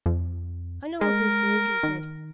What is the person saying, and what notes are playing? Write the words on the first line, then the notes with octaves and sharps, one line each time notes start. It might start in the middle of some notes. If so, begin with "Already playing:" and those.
"I know what this is," he said.
F2
G#3 A#4
D#3